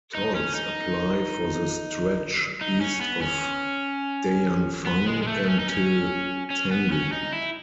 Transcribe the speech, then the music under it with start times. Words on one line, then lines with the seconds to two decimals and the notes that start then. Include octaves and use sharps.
Tolls apply for the stretch east of Dayangfang until Tanggu.
0.15 D#4
0.35 C#4
0.55 D#4
2.61 D#4
2.81 C#4
3.01 B3
3.21 C#4
4.86 B3
5.06 G#3
5.22 G#3
5.27 A3
5.48 C#4
5.59 D#4
5.69 C#4
6.50 C#4
6.71 B3
6.92 C#4
7.12 D#4
7.33 E4